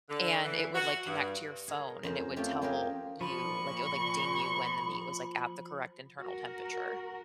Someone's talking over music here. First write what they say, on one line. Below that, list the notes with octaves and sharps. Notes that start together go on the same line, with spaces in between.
and it would, like, connect to your phone, and it would tell you like, it would, like, ding you when the meat was, like, at the correct internal temperature,
D3
E3
F#4
G2
G#4 A#4 C#5
F2 C#4 A#4 C5
A3 C4 C#4 F4 G4
A#3 C4 C#4 G4 G#4 A#4
A#2 F3 B5 C#6
F#4 A#4